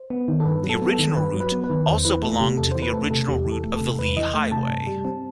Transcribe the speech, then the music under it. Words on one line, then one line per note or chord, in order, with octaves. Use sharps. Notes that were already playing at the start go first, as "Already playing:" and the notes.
The original route also belonged to the original route of the Lee Highway.
Already playing: C5
B3
D#3
A4
G2 B4
F#3
A4
B3
A4
D#3
G2 B4
F#3
B4
B3
B4
D#3
E2 C5
E3 B4
A3 A4
C3 G4
E2 A4
E3 C5
B4
A3 A4
C3 A4
E2 G4
E3
A4
A3
C3 A4
E2 B4
E3 D#5
A3 G5
C3 A5
G2
G3
C4